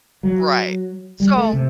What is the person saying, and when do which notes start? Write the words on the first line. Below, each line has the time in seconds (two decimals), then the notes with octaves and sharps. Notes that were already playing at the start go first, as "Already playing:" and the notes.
Right. So
0.23 F#3
1.20 G3
1.36 A3
1.53 C3